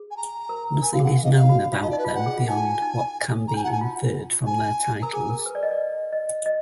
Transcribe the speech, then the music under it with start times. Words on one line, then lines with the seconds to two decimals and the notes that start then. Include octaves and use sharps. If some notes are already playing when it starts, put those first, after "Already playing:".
Nothing is known about them beyond what can be inferred from their titles.
Already playing: G#4
0.11 G#5
0.17 A#5
0.49 A#4
0.82 A#4 G#5
0.93 F#4 F5
1.00 G#4 F#5
1.16 F5
1.24 D#5
1.32 F5
1.49 F#4
1.73 F4
1.82 D#4 D#5
1.90 D5
1.93 D#4
1.99 B4
2.04 F4 D#5
2.15 D4 F#5
2.26 G#4
2.37 F4
2.48 D#4 G#5
2.82 D#4
3.48 A#5
3.54 D4 G#5
3.64 F#5
3.67 D#4 G#5
3.81 F4
4.46 D#4 G#5
5.02 A#4 A#5
5.13 G#4 G#5
5.29 A#4
5.46 B4
5.55 D5
5.63 D#5
5.71 D5
6.13 D#5
6.46 D#5